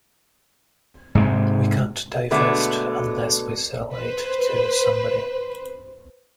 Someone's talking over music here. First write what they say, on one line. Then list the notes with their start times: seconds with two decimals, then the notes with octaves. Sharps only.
We can't divest unless we sell it to somebody.
1.15 G#2 C3 G#3
2.31 B2 D3 G#3 A3 B3 D4
3.94 B4 C5